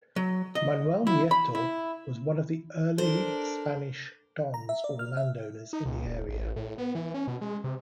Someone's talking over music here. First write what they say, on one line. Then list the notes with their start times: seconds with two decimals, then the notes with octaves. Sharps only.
Manuel Nieto was one of the early Spanish dons or landowners in the area.
0.16 F#3
0.55 D#5
1.07 E4
1.31 B5
1.55 E4
2.98 D4 A4 A#4 C5
4.54 A#5
4.69 E5
4.84 D5
4.99 F6
5.17 E5
5.73 D#4
5.86 C#2
6.07 E1
6.29 A1
6.56 A2
6.78 B3
6.95 E3
7.14 C#4
7.28 B2
7.41 G#3
7.64 C3